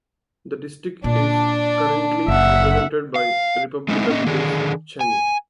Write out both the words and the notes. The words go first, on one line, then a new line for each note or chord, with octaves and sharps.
The district is currently represented by Republican Liz Cheney.
A#2 D4
F#1 E5 F#5
F5
G#3 A3 C4 D#4 E4
A#3 C#4 D#5
D3 D#3 D4 G#4
G#5